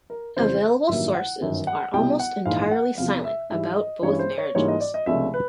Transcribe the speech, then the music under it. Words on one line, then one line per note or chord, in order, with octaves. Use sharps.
Available sources are almost entirely silent about both marriages.
A#4
F2 C#3 E3 G3 C4 C5
A1 G2 D#3 F#3 A#3 E5
F#5
G1 F#2 D#3
F#5
C2 B2 G3 G5
F#5
A#1 G#2 E3 F5
F#5
E2 C3 F3 F5
E5
G#2 E3 G3 E5
D#5
G2 E3 G#3 C#4 E4 C#5
C5
C#5
G#2 E3 G3 A#3 D4 C#5
D#5
D5
D#5
C#2 C3 F3 A3 D4 E5
B4